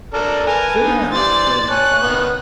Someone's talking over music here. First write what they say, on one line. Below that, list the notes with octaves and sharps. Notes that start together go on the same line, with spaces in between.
"Sit down!" said her father.
D4 A4 A#4
A#4 B4 G#5 A5
D4 D#4
E3 G3 C5 D5 A6
C#5 G#5 A5 F#6
D#3 B3